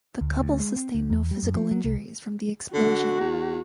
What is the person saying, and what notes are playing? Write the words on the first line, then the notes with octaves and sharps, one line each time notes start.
The couple sustained no physical injuries from the explosion.
D2
D2
G#3
C4
D2
E2
G3
F#2
F3
F#3
C2
D3 F#4
E2